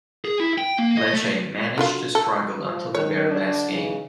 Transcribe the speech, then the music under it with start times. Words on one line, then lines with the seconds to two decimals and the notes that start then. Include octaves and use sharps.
Lecce managed to struggle until the very last game.
0.25 G#4
0.40 E4
0.58 G5
0.79 A#3
0.97 D#5
1.13 A3
1.78 D3 F#3 F4
2.15 A4
2.60 F3
2.95 D#3 C#5
3.30 D3 D4
3.72 C#3 E3 D#4